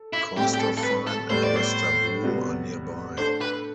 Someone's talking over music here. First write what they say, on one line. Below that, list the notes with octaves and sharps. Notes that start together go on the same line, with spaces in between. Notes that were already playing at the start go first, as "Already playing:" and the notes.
Corstorphine and Wester Broom are nearby.
Already playing: A4
E4
A2 G3 C4 G4
G4
A4
A4
B4
A4
A2 G3 B3 C5
D5
C5
C3 G3 B3 F#4
A3 D4 A4 C5
B4